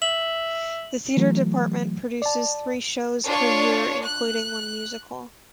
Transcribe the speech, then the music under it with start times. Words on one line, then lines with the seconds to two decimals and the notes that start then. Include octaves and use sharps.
The Theater Department produces three shows per year, including one musical.
0.02 E5 F#7
1.17 E3 F#3 A3
2.22 D5 A5
3.26 D4 F4 C#5
4.07 F#6